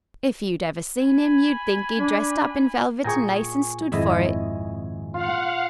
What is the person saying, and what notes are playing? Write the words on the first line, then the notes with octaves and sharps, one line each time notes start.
If you'd ever seen 'im, you'd think 'e'd dressed up in velvet and lace and stood for it.
G#5 B5
D4
A#2 G#4 G5 G#5 A#5 C#6
G#1 F2 E4 G#4 D#5 E5
F4 F5 F#5